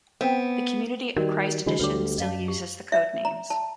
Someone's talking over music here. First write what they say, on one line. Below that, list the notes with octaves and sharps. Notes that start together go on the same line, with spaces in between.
The Community of Christ edition still uses the code names.
B3 C4
D#3 G3 F#4 A#4 D5
D3 E3 G#3 F#4 B5
D2 D3 G3 B4 C#5 D6
F#2 D#5 F5 A5
G4
E5
A#5
A5